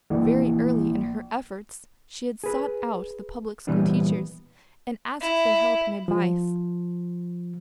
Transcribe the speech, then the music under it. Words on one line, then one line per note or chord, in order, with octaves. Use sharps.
Very early in her efforts she had sought out the public school-teachers, and asked their help and advice.
A#1 E3
G#4 B4
A#2 E3 G3 B3 D4
E4
F3